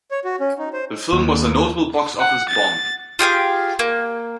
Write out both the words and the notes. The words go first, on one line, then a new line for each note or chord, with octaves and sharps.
The film was a notable box-office bomb.
C#5
F#4
C#4
D#4
C5
D#2
F#5
A6
F4 G4 G#4 F5
A#3